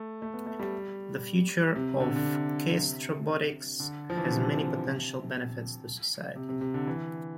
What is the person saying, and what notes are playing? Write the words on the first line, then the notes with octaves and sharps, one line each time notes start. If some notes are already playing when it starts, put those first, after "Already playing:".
The future of gastrobotics has many potential benefits to society.
Already playing: A3
A3
B3
A3
G3
C3
D3
D3
C3
C3
D3
F3
E3
D3
C3
C3
C3
C3
D3
E3